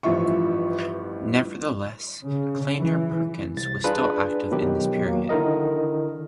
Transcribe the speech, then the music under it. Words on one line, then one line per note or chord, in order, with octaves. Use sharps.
Nevertheless, Kleiner Perkins was still active in this period.
A1 G2 F3 F4 E5 C#6
C#3
E3
C2 A6
D4 F4 G#4 B4
B2 D#3 F#3 G4
F#3 A#3
D3 D#3 E4 A#4 D#5